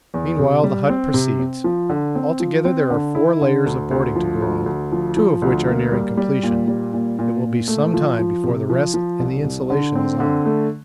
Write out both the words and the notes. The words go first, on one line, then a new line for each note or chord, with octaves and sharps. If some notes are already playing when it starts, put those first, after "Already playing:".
Meanwhile the hut proceeds; altogether there are four layers of boarding to go on, two of which are nearing completion; it will be some time before the rest and the insulation is on.
E2
C3
G3
C4
C3
C4
F3
D3
C4
F3
C4
D3
E4
D3
D2
D2
F3
D2
D2
F3
F3
D2
A#3
G3
G3
A#2
G3
A#2
A#2
A#2
A3
F3
F3
C3
F3
F3
C2
C2
D3
C4
D3
A3